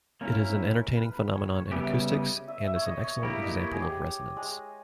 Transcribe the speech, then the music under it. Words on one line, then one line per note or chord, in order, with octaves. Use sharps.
It is an entertaining phenomenon in acoustics and is an excellent example of resonance.
A#3 C#4 E4 A#4
B4
B4
C#5
C#5
C#3 G3 B3 G4 E5
D#5
E5
E5
C#5
D#5
C#5
A#3 E4 G4
D#5
C#5
G#4
G4
G#3